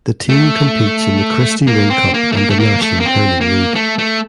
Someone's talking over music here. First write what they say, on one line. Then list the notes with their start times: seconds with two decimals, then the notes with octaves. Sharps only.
The team competes in the Christy Ring Cup and the National Hurling League.
0.29 A3
1.67 A#3
1.90 C4
2.14 A#3
2.32 A3
2.37 A#3
2.50 A3
2.59 A#3
2.82 A3
3.00 A#3
3.06 C4
3.41 A#3
3.75 A3
3.98 A3